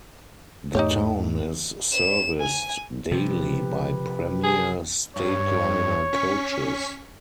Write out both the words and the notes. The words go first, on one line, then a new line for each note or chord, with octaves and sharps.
The town is serviced daily by Premier Stateliner coaches.
E2 G#2 A3 D#4 G4 C#5
E7
G#5
C3 F3 G4 B4
G#4
G2 C#5
C#4 C#6 B6